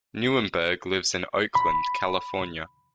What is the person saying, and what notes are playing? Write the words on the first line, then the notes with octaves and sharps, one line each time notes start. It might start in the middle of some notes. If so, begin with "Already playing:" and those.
Neuburg lives in Oakland, California.
B5